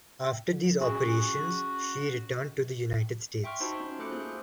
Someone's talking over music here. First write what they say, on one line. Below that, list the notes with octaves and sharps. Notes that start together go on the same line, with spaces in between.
After these operations she returned to the United States.
C#4 F#4 G#4
E5 G5 C6 C#6 F6
D#4 F4 F#4 C5 A5 B5
C#4 C6
A3 A4 C5 D6 F#6 C#7
A#3 F4 G#4 C5